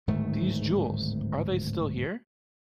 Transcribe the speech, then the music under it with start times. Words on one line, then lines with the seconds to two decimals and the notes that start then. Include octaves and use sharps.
These jewels — are they still here?
0.07 D1 G#2 D#3 A3